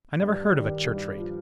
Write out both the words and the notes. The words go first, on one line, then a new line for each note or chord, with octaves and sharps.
"I never heard of a church-rate."
G2 G4
D#3 G3
G2
F3